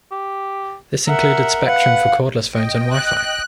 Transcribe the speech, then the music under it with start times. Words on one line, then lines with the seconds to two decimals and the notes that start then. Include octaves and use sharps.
This included spectrum for cordless phones and Wi-Fi.
0.11 G4
1.07 A#4 E5 F#5
1.67 B4 F5 F#5
2.55 D#5 G5
2.91 F#6